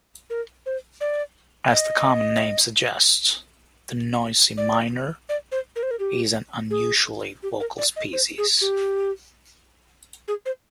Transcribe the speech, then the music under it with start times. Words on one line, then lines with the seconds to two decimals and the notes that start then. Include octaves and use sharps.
As the common name suggests, the noisy miner is an unusually vocal species.
0.30 A#4
0.66 C5
1.01 D5
1.72 D#5
4.58 D5
5.29 D5
5.52 C5
5.76 A#4
5.83 C5
5.91 A#4
6.00 G4
6.70 G#4
7.43 G4
7.60 A#4
7.78 D5
7.96 D#5
8.13 C5
8.38 G#4
8.61 G4
10.28 G#4
10.46 C5